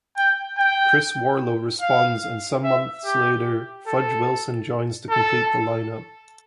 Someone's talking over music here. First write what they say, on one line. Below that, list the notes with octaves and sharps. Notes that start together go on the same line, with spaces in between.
Chris Warlow responds and some months later Fudge Wilson joins to complete the line-up.
G5
G5
F5
E5
G4
A4
A4